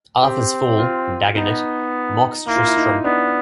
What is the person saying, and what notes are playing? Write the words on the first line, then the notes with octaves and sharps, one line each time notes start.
Arthur's fool, Dagonet, mocks Tristram.
C4 G4
F4
B3 D#4
A#3 E4
F4
E4
D#4
B3 D4